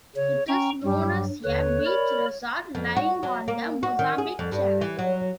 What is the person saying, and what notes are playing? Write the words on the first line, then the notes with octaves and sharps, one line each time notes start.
It is known as a beach resort, lying on the Mozambique Channel.
C#3 C#5
C#4 G5 A#5 C#6
G2 F#3 G3
D#2 D3 B4 C#5
A#4 D5 B5
F2
F#4
F#3
A#3
F#4
D#3
G#4
F2
G2
E3
F#3